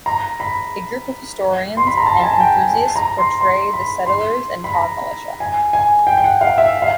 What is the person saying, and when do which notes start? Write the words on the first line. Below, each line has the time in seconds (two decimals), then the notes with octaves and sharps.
A group of historians and enthusiasts portray the settlers and town militia.
0.06 A#5
0.40 B5
1.77 C6
1.87 B5
1.97 A#5
2.06 A5
2.20 A5
2.23 G#5
2.40 G5
2.57 G#5
2.73 A5
2.96 A#5
3.18 C6
3.41 C6
3.73 B5
4.06 C6
4.64 B5
4.74 A#5
5.40 G#5
5.73 G#5
6.07 G5
6.17 G5
6.24 F#5
6.41 F5
6.58 E5
6.82 F5